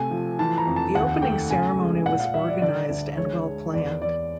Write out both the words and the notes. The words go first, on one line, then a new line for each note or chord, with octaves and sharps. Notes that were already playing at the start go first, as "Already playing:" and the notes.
The opening ceremony was organized and well planned.
Already playing: C3 A3 G#5
F3
E3 A5
A#5
F2
A5
D#2 F#5
A3 G5
C#3 G#5
G#3
A#2 F#5
F5
G3 E5
D5
D3 D5
D2
G#3 C#5
G#3
E2 D5
E2 D5